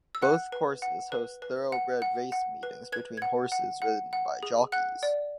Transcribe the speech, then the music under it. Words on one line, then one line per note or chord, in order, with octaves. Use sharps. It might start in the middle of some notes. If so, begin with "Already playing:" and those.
Both courses host thoroughbred race meetings between horses ridden by jockeys.
E6
F#5 F#6
B4
F#5
B4
B4
F#5
F#5
F#5
B4
B4 G#6
F#5 G#6
F#5
F#5
F#5
G#4
F#5 F#6
D5